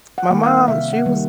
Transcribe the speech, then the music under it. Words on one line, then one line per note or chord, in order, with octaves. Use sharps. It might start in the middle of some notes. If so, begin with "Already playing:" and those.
my mom, she was
F#5
D#3 G3 A#3
F5
C3 E5
F#5
D#3 G3 A#3